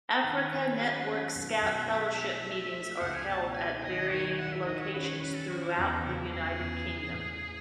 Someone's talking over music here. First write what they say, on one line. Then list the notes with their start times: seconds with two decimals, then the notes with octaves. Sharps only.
Africa Network Scout Fellowship meetings are held at varying locations throughout the United Kingdom.
0.24 D#3 B4
0.53 C#4
0.80 F#3
1.08 C#4
1.35 B1
1.62 B1 E5
1.89 B1
2.18 F#3
2.45 A3
2.72 A3
3.01 C#2 F#5
3.14 G#5
3.28 B2 A5
3.56 E4 G#5
3.83 D#3 D#5
4.11 D#3 C#5
4.25 G#5
4.38 E4 F#5
4.52 E5
4.65 D#3 D#5
4.80 C#5
4.93 C#4 B4
5.07 C#5
5.21 C#4 B4
5.34 A4
5.49 C#4 F#4
5.62 E4
5.76 E2 D#4
6.04 C#3 E4
6.31 E2 G#4
6.59 E2
6.86 E3
7.14 A2
7.42 E3